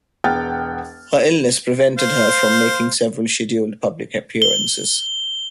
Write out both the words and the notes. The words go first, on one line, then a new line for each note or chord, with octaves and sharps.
Her illness prevented her from making several scheduled public appearances.
E1 B3 F#5 G5 F6 A6
C5 F5 C6
G7